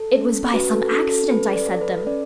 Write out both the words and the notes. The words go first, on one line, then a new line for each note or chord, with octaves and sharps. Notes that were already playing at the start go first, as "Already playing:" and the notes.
It was by some accident I said them....
Already playing: A4
C#4
F#4 B4
A4
C#4 A4
A4
A4 B4
D5
A4
B4
C#4 D5